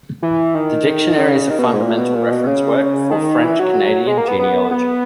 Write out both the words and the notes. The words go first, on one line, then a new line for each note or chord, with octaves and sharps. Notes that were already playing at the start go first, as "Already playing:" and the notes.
The Dictionary is a fundamental reference work for French-Canadian genealogy.
E3
D#3
C#3
D#3
B2
A#2
G#2
A#2
B2
A#2
B2
C#3
D#3
E3
F#3
G#3
A#3
B3
B3
B3